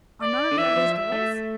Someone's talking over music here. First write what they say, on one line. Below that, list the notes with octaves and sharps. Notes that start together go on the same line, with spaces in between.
"Are none of the others girls?"
D5
D3
E3 E5
F3
E5
A3